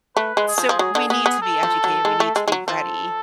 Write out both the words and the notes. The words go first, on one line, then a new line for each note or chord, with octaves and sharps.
so, we need to be educated. We need to be ready
A3 B4
G#3
G#4
F3
F3
F#3 G#4
D3
B3 G#4
B3
A4
F3
F#3
G#3
A3
G#3
G#3
F#3
F3 A4